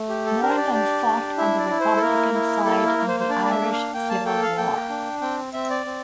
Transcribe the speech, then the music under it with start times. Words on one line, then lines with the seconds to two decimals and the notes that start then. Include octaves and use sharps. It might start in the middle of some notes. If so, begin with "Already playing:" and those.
Moylan fought on the Republican side in the Irish Civil War.
Already playing: A3
0.09 G4
0.26 A4
0.42 D4 A#4
0.49 C5
0.58 D5
0.73 G4 D5
1.06 D4
1.38 E4 E5
1.59 D5
1.70 E4
1.80 C5
1.97 A4
2.02 A#3 A#4
2.34 E4
2.65 A#3 A4
2.87 A#4
2.98 A#3
3.08 C5
3.20 C5
3.29 D4 D5
3.45 D5
3.51 E5
3.61 A#3
3.72 F5
3.94 A#3 G5
4.09 A5
4.26 A4 G5
4.42 F5
4.57 A#3 G5
4.90 D4
5.21 C4 G5
5.53 C4 E5
5.70 D5
5.86 C4